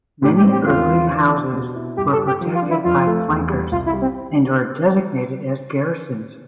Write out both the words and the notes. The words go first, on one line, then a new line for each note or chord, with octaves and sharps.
Many early houses were protected by flankers, and were designated as garrisons.
A2 G4
G4
C4
G4
E2 F4
E3
E3
D4
B2
E4
G2 G4
A4
G3
G4
F3
F4
D4
E4
F2 F4
A3
E2
G3
C2 F4
E4
G3
C4